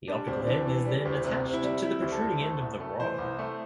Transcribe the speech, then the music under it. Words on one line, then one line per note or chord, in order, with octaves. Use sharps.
The optical head is then attached to the protruding end of the rod.
G3 D4
D2 C4
E3 D4
E3
G3
D2
C3
C3
E4
G3
G3 E4
D2
A4
D2
A3
C2
A3
E3 C5
C2
A3